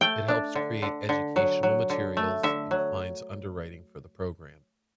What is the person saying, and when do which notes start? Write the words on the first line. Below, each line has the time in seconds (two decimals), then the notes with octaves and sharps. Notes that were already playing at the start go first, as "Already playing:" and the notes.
It helps create educational materials, and finds underwriting for the program.
0.01 A3 G5
0.28 D4
0.55 D3
0.82 D3
1.09 D3
1.36 F#3
1.63 F#3
1.90 D3
2.17 A3
2.43 D3 E5
2.71 F#3